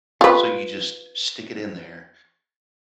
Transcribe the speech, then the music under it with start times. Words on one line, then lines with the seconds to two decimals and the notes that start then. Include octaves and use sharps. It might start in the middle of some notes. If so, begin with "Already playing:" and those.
So you just stick it in there,
0.21 F4 B4